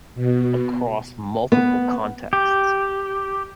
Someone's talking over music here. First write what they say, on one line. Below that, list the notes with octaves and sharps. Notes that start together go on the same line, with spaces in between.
across multiple contexts.
B2
B3
G4